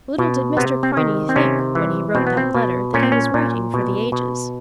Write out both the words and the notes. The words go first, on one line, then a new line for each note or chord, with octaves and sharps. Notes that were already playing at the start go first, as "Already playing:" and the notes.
Little did Mr. Quiney think, when he wrote that letter, that he was writing for the ages.
B2
C3 B3
C4
D#3
C4
C3 C#4
E3
B2 C4
B3
C4
B2
A#2 C#4
C4
C#4
A#2
B2
B2